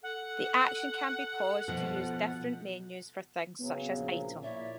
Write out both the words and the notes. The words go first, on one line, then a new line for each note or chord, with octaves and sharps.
The action can be paused to use different menus for things such as item.
A4 F#5
B2 F3
C#3 F#3 B3
A#1
A#2 E4 C#5 D5 E5